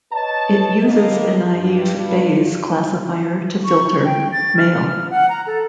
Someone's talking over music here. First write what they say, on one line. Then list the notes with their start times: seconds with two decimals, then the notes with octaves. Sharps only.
It uses a naive Bayes classifier to filter mail.
0.12 B4 C#5 D#5 A5
0.83 G1 A2 A3 A#3 D#5
1.54 G2
3.65 C#6
4.05 G5
4.32 A6
4.57 F6
5.10 F#5
5.29 A#5
5.47 A4